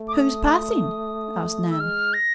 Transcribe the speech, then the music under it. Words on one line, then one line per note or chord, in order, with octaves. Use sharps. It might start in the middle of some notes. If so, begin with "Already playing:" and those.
"Who is passing?" asked Nan.
Already playing: A3
D6
D#6
D#6
E6
G#3 F6
A#6